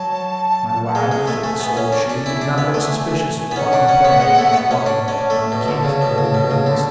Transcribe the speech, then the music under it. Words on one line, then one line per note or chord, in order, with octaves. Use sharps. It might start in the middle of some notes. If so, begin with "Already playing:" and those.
My wide, thick-soled shoes did not look suspicious for one who planned much walking on the caked Lowland ooze.
Already playing: F#3 A5
F#5
G#3 G#5
G#3
A3
A3
B3
C#4
D4
D4
E4 G#5
D4
B3
A3
G#5
B3
C#4 F#5
D4
C#4
B3
G#3
A3
B3
C#4
D4 A5
C#4
A3
B2
D3
C#3
B2
C#3
B2
C#3
D3